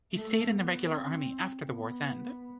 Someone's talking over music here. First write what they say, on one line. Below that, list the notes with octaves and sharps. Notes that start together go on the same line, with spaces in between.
He stayed in the regular army after the war's end.
A3
B3
C4
B3